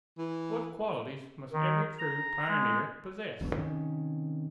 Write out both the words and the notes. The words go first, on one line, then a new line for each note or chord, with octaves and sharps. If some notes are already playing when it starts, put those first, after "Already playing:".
What qualities must every true pioneer possess?
E3
D#3
A#5
G#3
E1 B1 G2
C3 D#3 C4 C#4